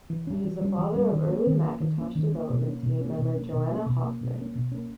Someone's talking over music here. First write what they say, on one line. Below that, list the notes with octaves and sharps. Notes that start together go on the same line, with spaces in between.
He is the father of early Macintosh development team member Joanna Hoffman.
E3
G3 C#4
E3
G3 C#4
E3
G3 C#4
D#3
A#3 C#4
D#3
A#3 C#4
D#3
A#3 C#4
D#3
A#3 C#4
B2
A#3 C#4
B2
A#3 C#4
B2
A#3 C#4
B2
A#3 C#4
B2
A#3 C#4
B2
A#3 C#4
B2
A#3 C#4